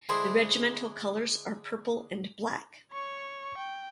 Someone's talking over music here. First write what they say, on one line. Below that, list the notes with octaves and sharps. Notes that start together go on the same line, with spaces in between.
The Regimental colours are Purple and Black.
D3 G#3 E4 G#4 C5 C6
C#5 C#6
G5